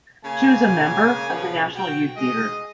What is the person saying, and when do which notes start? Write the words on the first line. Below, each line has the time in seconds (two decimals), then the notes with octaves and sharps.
She was a member of the National Youth Theatre.
0.25 C#3 A#3 G#5
1.28 C#3 E3 F3 B3
1.75 F#4 G5
2.17 G#3 D#5